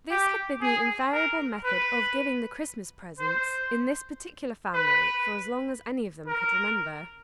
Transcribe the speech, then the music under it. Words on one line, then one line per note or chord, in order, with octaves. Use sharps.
This had been the invariable method of giving the Christmas presents in this particular family for as long as any of them could remember.
G4
G#4
A#4
B4
C5
B4
A#4